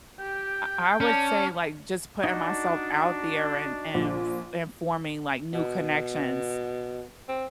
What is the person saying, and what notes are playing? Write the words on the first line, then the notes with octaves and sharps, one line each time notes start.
I I would say like just putting myself out there and and, f and forming, like, new connections.
G4 G5
C#4 D5 A5
D4 D#4 F#4
A#1
B2
C4